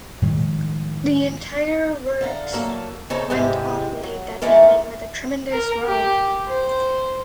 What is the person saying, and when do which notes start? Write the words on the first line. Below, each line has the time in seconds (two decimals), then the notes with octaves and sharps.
The entire works went off late that evening with a tremendous roar.
0.22 A2 D#3 F3 G#3
2.21 D3 F5 A#5
2.53 F#3 A#3 A4
3.10 C#3 D#4 A4 C5 C#5
3.30 E2 G#2 C3 G#3 G4
4.03 F#3
4.42 D#3 E3 G#3 A3 A#4
5.52 A#4
5.85 G4
6.47 C5